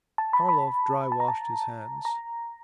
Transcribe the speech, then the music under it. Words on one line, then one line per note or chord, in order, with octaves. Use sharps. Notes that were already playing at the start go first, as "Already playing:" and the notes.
Karlov dry-washed his hands.
A5
B5
B5
A5
A#5
A5
A#5